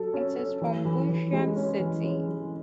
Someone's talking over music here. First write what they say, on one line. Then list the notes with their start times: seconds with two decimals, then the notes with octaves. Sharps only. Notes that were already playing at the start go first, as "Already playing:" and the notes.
It is from Butuan City.
Already playing: F#3 A4
0.14 C#4
0.37 C#4
0.61 E3
0.85 E3
1.09 E3
1.32 G#3
1.56 C#4
1.80 E3
2.04 C#4
2.29 E3